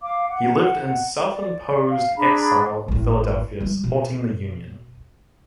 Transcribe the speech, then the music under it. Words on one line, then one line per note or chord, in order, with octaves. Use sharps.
He lived in self-imposed exile in Philadelphia, supporting the Union.
F5 D6
F#5
D5
F5
D4 G#4 A#5 B5
G#1 A2
G3 G#3
B2